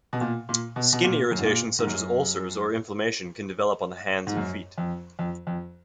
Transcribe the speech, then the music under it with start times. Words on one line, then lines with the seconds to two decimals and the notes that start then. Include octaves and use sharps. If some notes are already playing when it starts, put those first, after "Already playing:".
Skin irritations such as ulcers or inflammation can develop on the hands and feet.
0.13 B2
0.21 A#2
0.49 A#2
0.76 B2
0.93 B2
1.04 A#2
1.31 F#2
1.39 G#2
1.45 A#2
1.79 G#2
1.87 F#2
4.27 G#2
4.37 F#2
4.78 F2
5.19 F2
5.47 F2